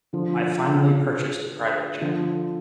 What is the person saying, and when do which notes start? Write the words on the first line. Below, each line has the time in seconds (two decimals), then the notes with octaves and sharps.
I finally purchased a private jet.
0.13 D3 F3
2.01 D3 F3